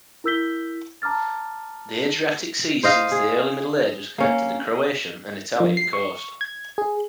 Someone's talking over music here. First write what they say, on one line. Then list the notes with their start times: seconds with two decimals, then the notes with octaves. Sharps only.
The Adriatic Sea since the Early Middle Ages connected the Croatian and Italian coast.
0.24 E4 A#4 E6 G6 B6 G7
1.02 A5 A#5 D6 F6 A6
2.83 C5 D#5 F5
3.12 G#4
4.18 A#3 C#4
5.60 F3
5.77 C7
5.93 C#6
6.41 G#6
6.78 G#4